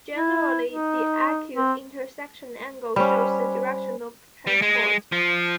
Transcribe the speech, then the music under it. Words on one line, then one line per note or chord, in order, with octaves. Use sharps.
Generally, the acute intersection angle shows the direction of transport.
E4
D#4
C4
G3 C#4 C5 B5
G3
G#3
F3